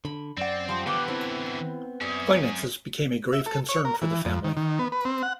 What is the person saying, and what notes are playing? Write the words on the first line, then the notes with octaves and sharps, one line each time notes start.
Finances became a grave concern for the family.
D3 B5
F#2 C4 D5 F#5
F3 G3 C6
D3 E3 B3 B4 F#5 G5 D6
C4 E4
F#2 C#4 D5 E5 D#6
E5
A4
C#5
A#4
E3
F2
D#3
D#3
B3
B4
C4
F#5